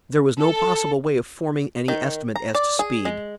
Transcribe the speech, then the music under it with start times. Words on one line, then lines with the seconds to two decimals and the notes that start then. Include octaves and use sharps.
There was no possible way of forming any estimate as to speed.
0.40 A4
1.88 D#3
2.36 A#5
2.55 D5
2.79 G#4
3.05 G#3